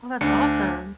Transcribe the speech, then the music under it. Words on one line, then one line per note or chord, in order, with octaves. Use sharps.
Well, that's awesome.
D2 D4 C#7